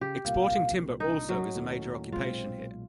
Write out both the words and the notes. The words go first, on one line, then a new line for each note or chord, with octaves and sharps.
Exporting timber also is a major occupation here.
C#3 G4
C2 A#2 F5
D4 D#4
F#3 C#4
D#2 A2
B1 A#2 G#3 C4 F4